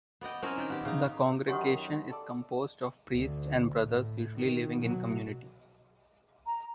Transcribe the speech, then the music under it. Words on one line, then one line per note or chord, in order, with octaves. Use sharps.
The congregation is composed of priests and brothers usually living in community.
B3 D5 D#5 G5
C4 C#4 E4 A#4
D#3 D5 G5
B3 G4
C#3 D#4
F#2 D#3 G4 C#5 F#5
A4 D5
D2
A2
D#3
B2 F#3
A#5